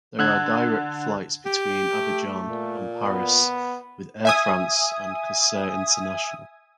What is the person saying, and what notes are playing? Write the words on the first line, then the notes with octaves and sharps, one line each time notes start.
There are direct fights between Abidjan and Paris with Air France and Corsair International.
D3 E6 F#6 G#6
G4
A3
A#2
B3
E5 G#5 D#6